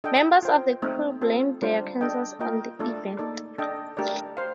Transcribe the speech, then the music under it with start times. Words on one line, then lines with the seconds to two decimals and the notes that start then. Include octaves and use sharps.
Members of the crew blamed their cancers on the event.
0.04 D4 A4 D#5 G5
0.43 F4 C5 G5
0.82 A3 C4 D#4
1.21 C4 F4 A4
1.62 G3 D4 F4 C5
2.01 D4 A4 D#5 G5
2.39 A#3 F4 A#4 D#5 G5
2.79 A3 D4 F4 A4 D5
3.19 A#3 D#4 A4 D5
3.58 D4 A4 D#5 G5
3.97 A3 D4 G4 A#4 D5
4.37 C5 F5